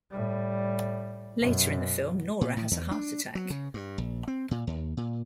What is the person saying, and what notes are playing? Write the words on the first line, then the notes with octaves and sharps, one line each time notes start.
Later in the film, Nora has a heart attack.
A2 G3
F#2 B2
A#2
A2
E2
D4
F#3
C#3
G2
A#1
C4
A#2
D#2
A#2